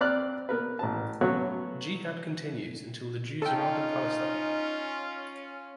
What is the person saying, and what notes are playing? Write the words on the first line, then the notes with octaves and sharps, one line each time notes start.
Jihad continues until the Jews are out of Palestine.
C4 D5 F6 F#6
B3 A#4 B4
A1 B4 A5
F#3 A3 B3 C#4 F#4 C#5
C#4 D#4 F4 A4 G5